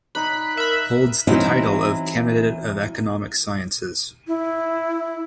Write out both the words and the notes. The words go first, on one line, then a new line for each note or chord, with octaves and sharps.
Holds the title of Candidate of Economic Sciences.
D#4 D5 B5 F#6
A#4 E5 B5
E3 F#3 C4 C#4 D#4 E4
E4